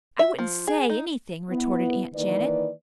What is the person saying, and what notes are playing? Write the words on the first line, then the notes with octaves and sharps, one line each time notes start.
"I wouldn't SAY anything," retorted Aunt Janet.
E5
F3
G#4
D#4
B3 E4
D#3 E3 A#3 B4 D5